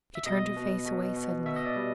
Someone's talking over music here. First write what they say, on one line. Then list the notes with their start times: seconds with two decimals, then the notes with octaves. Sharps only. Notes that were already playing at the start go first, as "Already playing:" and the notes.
She turned her face away suddenly.
0.15 E5
0.26 B2 D#5
0.56 B2
0.86 B2
1.16 B2
1.46 B2 E5
1.56 D#5
1.66 D5
1.76 G3